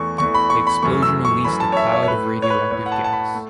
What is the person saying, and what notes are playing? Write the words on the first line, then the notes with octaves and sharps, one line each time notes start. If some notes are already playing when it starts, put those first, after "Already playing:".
The explosion released a cloud of radioactive gas.
Already playing: E2 E3 A3 C#6
E2 E3 A3 C#6
B5
C#6
B5
F#2 E3 A3 C#6
E6
C#6
F#2 E3 A3 B5
A5
C#5
E5
C#5
C#5
A2 A3 B4
C#5
B4
A2 A3 C#5
F#5
A5
A5
B5
A3